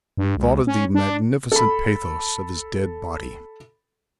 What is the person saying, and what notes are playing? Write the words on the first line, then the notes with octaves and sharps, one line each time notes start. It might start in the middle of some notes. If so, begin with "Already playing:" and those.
He thought of the magnificent pathos of his dead body.
G2
C#2
C#4
D4
A4 B5